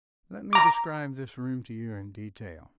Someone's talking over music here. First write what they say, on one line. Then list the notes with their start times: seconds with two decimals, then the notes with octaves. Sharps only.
Let me describe this room to you in detail.
0.53 A#5 D6